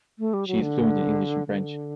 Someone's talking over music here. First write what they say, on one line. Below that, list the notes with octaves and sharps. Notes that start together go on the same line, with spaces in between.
She is fluent in English and French.
A3
G3
F#3
D3
D3